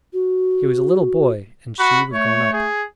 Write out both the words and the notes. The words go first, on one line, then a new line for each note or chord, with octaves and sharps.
He was a little boy, and she was grown up.
F#4
F#4 B5
A3 C#5
G#4